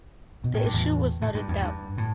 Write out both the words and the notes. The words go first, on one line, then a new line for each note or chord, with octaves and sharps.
The issue was not in doubt.
B2
A2
G2
E2 A2
A2
G2
E2
G2
A2